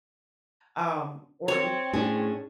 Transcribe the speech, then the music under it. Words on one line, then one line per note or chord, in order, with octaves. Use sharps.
um, or
C4 C#5
A2 C#4 D4 G#4